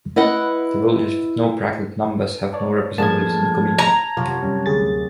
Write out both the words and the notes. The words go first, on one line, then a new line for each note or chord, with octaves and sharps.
The villages with no bracketed numbers have no representatives in the committee.
E4 B4 D#5 F#5
C#5 D5 A5
A2 F3 A#3 D4 G#4 A5 G#6
A#5
F#2 C3 F4
G3 C#4
D2 G#4 A6